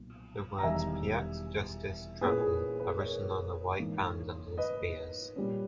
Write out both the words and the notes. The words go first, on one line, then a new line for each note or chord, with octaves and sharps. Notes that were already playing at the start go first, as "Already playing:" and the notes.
The words "Paix, Justice, Travail" are written on a white band under the spears.
Already playing: B1 A#2
A#5
E1 E2 D#3 G3 E5 G#5
A#2 A#3 C#4 E4 G#4 B4
G#4
G#4 B4
A#4 C#5
G#2 E3 A#3 D#4
B4 D#5
A#2 G3 C#4